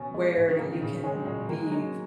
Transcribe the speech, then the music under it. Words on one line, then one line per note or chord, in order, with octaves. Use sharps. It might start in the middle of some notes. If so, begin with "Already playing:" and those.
where you can be f
Already playing: B2 E3 C#4
G#3
G#2
D#3
C#3 A#3
D#3
A#2 C#3
G#3 C#4
F#3
A#2 G#3
D#3 A#3
G#3
F#3 D#4
G#3